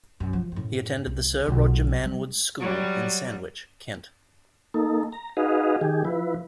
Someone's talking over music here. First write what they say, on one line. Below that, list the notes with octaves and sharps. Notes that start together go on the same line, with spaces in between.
He attended the Sir Roger Manwood's School in Sandwich, Kent.
F#2
F3
F#2 A2
C2
B1 F4
G3
F#3 G3
A#3 D#4 A4
A#5
D#4 F#4 G#4 B4 D#5 F5
D#3 G4 G#4
F3 E4 B4